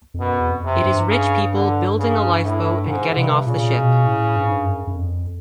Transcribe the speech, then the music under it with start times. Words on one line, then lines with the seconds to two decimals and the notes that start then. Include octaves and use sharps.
It is rich people building a lifeboat and getting off the ship.
0.14 F2
0.20 F#2 B2
0.40 E2
0.50 F2
0.65 C3
0.75 F#2
0.79 G2
1.09 C#3
1.53 D3
1.99 C#3
2.43 A2
2.87 G#2 C#3
3.17 G2 C3
3.46 A#2 C#3
3.76 B2
4.06 A2
4.36 G2
4.43 G#2
4.51 G2
4.65 F#2
4.87 F#2
4.95 F2